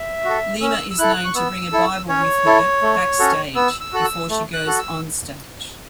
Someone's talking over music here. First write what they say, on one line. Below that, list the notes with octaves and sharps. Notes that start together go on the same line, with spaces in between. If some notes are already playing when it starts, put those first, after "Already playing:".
Lima is known to bring a Bible with her backstage before she goes onstage.
Already playing: E5
F#4 A4
C#4 E6
E6
E4 A4 F#6
C#6
B3 E6
E4 A4
C#4 C#5
E4 A4
A3
C#4 F#4 A4
B3 E6
E6
F#4 A4 F#6
E6
A3
F#6
F#4 A4
E6